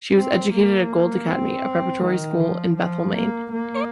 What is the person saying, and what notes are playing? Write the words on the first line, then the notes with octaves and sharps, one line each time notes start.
She was educated at Gould Academy, a preparatory school in Bethel, Maine.
C4
A#3
C4
D#3
F3
F3
A#3
A#3